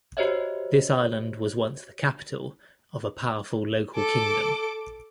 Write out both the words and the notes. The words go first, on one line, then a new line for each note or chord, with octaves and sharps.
This island was once the capital of a powerful local kingdom.
F#4 G4 C5 C#5 D#5 E5
A4 D6